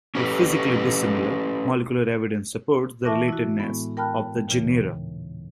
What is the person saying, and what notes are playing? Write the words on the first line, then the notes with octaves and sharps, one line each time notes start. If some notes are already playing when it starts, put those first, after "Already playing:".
While physically dissimilar, molecular evidence supports the relatedness of the genera.
C#4 G4 A4 B4
E3 E5 A5 C#6 D6 A#6
E4 F#4
A2 G#3 B3
A#4 G5 A5 B5 F6 F#6
D#2 A#2 C#3 E3